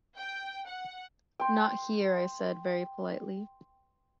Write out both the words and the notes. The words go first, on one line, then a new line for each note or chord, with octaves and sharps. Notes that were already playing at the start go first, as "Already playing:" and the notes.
'Not here,' I said, very politely.
G5
F#5
G5 C6